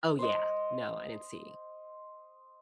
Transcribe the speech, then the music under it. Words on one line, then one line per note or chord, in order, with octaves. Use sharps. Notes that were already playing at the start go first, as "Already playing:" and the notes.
Oh yeah, no, I didn't see
C5 D#5